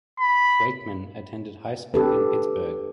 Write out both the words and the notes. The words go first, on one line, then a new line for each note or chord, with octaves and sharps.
Wakeman attended high school in Pittsburgh.
B5
D4 G4 A4 B4